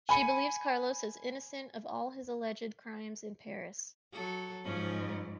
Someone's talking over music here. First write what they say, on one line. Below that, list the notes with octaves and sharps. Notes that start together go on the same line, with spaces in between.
She believes Carlos is innocent of all his alleged crimes in Paris.
G#5 B5 C#7 D#7
F#3 A4
G#2 F3 C#4 F4